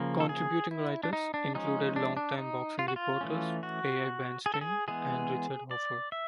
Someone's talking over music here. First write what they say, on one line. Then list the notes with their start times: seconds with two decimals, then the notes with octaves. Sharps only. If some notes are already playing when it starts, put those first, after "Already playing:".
Contributing writers included long-time boxing reporters Al Bernstein and Richard Hoffer.
Already playing: C#3 F3 A#3
0.20 A4
0.29 G#4
0.71 E4
1.03 D4
1.13 D#4
1.34 D4
1.55 F3 G#3 C#4 D#4
1.96 D4
2.17 D4
2.38 D#4
2.79 F4
2.88 F#4
2.96 F4
3.21 E3 A3 C#4
3.63 F#4
4.46 G#4
4.54 A4
4.61 G#4
4.88 E3 G#3 B3 G#4
5.71 D5
6.12 E5